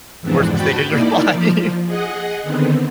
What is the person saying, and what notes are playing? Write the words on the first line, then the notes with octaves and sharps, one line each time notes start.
Worst mistake of your life.
F2 G#2 E3 B3 C4 D4
F#4 G5 A5 B5
A#3 D#4 E4 D5
F3
G#4 D#5 F#5
D3 D#3 B3 C4